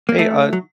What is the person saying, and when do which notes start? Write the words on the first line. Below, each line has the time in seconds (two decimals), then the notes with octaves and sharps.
Hey, uh,
0.09 A#3
0.19 A3
0.53 F#3